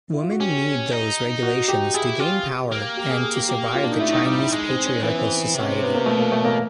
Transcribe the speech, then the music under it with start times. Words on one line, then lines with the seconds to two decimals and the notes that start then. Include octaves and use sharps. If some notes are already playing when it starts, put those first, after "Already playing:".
Women need those regulations to gain power and to survive the Chinese patriarchal society.
0.14 E4
0.23 F4
0.31 F#4
0.40 C#4 G4
0.91 D#4
1.43 F#4
1.68 G4
1.94 E4 G#4
2.19 F4 G4
2.71 A#3
2.97 G4
3.10 G#4
3.23 G#4
3.36 G4
3.49 G4
3.75 F4
3.84 D4
3.92 D#4
4.00 A3 E4
4.13 D#4
4.26 G3 D#4
4.39 E4
4.51 G#3 D#4
4.69 C4
4.86 C#4
5.03 E3 B3
5.17 C4
5.31 B3
5.55 C3
5.61 C#4
5.72 C4
5.83 B3
5.95 A#3
6.06 B2 A3
6.19 A#3
6.32 A3
6.45 A#3